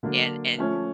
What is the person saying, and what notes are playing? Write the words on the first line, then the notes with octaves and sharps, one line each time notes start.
and and
D3 F#3 A#3 D4
F3 A3 C#4